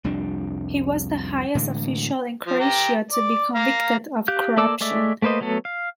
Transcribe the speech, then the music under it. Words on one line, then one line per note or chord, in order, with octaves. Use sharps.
He was the highest official in Croatia to be convicted of corruption.
C2 F2 G3 D4
A2 D3 E3 G#3
F3
G4 G5 A#5
D5
F5 A#5
G4 F5 F#6 G6
A#3 A4 D5 D6 E6
G#3 A3 D5 E5
A3 A#3 B4 C5 D#5
F#3 A3 B3 A4
F5